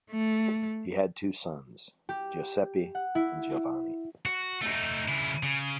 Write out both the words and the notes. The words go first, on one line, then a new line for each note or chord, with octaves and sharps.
He had two sons, Giuseppe and Giovanni.
A3
G4
F#5
E4
F#4
A3 D#4
C#3 E4
C#3